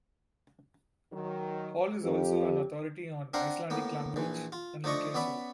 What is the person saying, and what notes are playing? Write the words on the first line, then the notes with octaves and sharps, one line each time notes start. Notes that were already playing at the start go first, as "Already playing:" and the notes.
Hall is also an authority on Icelandic language and literature.
D#3 F#3
F2 G4
C4 D4 A#4 F5 F#5
A2 A#3 B3
A#1 E3
F4
F3 A3 D4 D#5 C#6
B3 C#4 D5 E5 B5